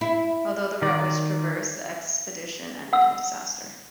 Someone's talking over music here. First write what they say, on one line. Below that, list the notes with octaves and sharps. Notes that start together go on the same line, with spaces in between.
Although the route was traversed, the expedition ended in disaster.
E4
D#3 D5
F#5 E6